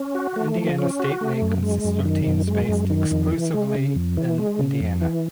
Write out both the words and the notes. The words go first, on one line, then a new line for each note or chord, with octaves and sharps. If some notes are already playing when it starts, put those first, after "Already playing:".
The Indiana State League consisted of teams based exclusively in Indiana.
Already playing: C#4
F#4
A3
F3
C#4
F#4
A3
F#2
G#3
F#2
D#3
F#2
G#3
F#2
D#3
F2
E3
G#3
C#3
F2
E3
G#3
C#3
F2
E3